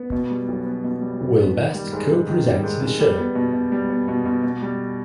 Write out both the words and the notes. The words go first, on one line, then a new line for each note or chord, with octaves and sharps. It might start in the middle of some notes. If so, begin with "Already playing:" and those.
Will Best co-presents the show.
Already playing: B3
B2
G3
B1
B3
B2
G3
B1
B3
D#3
G3
G#2
G#2
D#3
G3
G#2
G#2
G3
B3
B2
B2
G3
B3
B2
B2
B2
G3